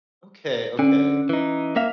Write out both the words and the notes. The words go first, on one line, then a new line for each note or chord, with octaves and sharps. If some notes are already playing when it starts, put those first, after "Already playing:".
Okay, okay.
D3 C#4
E3 D#4
A#3 E5 F5